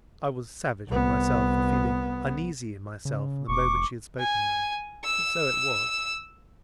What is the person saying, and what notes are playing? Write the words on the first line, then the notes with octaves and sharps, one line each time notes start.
I was savage with myself, for feeling uneasy in myself the moment she had spoken them--but so it was.
C2 B3
C#3
F1 C#6 D6
G#5
E6